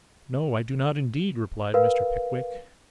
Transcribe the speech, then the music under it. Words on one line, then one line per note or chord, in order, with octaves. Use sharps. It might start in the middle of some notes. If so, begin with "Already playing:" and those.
'No, I do not indeed,' replied Mr. Pickwick.
A#4 B4 F5